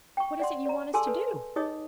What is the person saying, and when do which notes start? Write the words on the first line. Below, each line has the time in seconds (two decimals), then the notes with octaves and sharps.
"What is it you want us to do?"
0.17 G5 C#6
0.40 D5 F#5 C6
0.66 D5 A#5
0.94 G#4 A4 G#5 A5 C6 E6
1.07 A4 B4
1.56 D#4 G#4 C#5 D#5 D#6